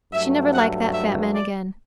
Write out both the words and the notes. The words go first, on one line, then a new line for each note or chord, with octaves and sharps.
She never liked that fat man again.
G2 F#3 A3 E5
F#5
E5
D5